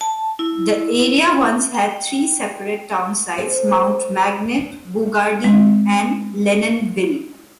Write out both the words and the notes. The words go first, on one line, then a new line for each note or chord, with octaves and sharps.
The area once had three separate town sites - Mount Magnet, Boogardie, and Lennonville.
A5
E4
G5
C4 A4
G#3 C4